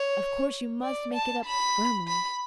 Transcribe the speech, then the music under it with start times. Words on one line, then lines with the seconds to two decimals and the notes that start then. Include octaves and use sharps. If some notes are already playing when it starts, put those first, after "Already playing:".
Of course, you must make it up FIRMLY.
Already playing: C#5
0.83 D5
1.14 A5
1.45 B5
2.07 B5